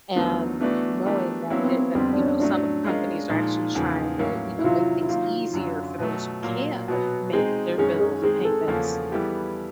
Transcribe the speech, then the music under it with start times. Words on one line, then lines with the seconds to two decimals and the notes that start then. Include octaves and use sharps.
and knowing that it that, you know, some companies are actually trying to, you know, make things easier for those who can't make their bill payments
0.15 D#2 D3 F#3 A3 B3
0.61 E3 A3 B3 D4 F#4
1.05 E3 A3 D4 G4 A#4
1.50 F#3 A#3 C4 C#4 E4
1.58 B3
1.65 C4
1.80 B3
1.95 F2 D3 G3 C4
2.13 D4
2.18 C#4
2.40 A2 F#3 A3 D4
2.84 G#3 C#4 F4 A#4 D#5
3.29 A#2 F3 G#3 D#4
3.74 E2 C#3 F3 A#3
4.19 A2 F#3 A#3 C#4
4.59 E4
4.64 C3 D#3 F#3 F4
5.02 E4
5.09 D#3 F#3 A#3 F4
5.54 F#2 D3 F#3
5.98 B2 F#3 A3
6.43 A#2 F#3 A#3
6.88 B2 F#3 B3 F#4
7.33 G#3 C4 D#4 G#4
7.78 F#2 D#3 G#3 C#4 G#4
8.00 G#4
8.22 D#3 G#3 C4 G#4
8.45 A4
8.68 E2 C#3 F3 A#3 C#4
9.12 E3 G3 B3 E4 G4